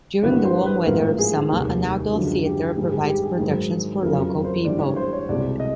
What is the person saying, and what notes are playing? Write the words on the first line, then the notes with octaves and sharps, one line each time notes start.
During the warm weather of summer an outdoor theater provides productions for local people.
G#1 G2 E3 G3 A#3 B4
C5
B4
A1 G#2 F3 A#3 A#4
G#4
F1 D#2 D#3 G3
G1 F#2 D3 F3 G#3
G4
G#2 D#3 G3 G#4
G#4
G4
G#4
G#2 D#3 F#3
F#1 F2 C#3 F#3 A#4
A#4
C5
G#1 G2 E3 G3 D5
C#5
C5
C#5
C2 B2 G#3 C4 D5
D#5